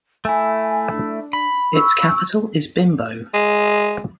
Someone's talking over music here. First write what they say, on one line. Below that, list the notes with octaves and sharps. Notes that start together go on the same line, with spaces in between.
Its capital is Bimbo.
A3 E4 G#5
D4
B5
C#6 E6
G#3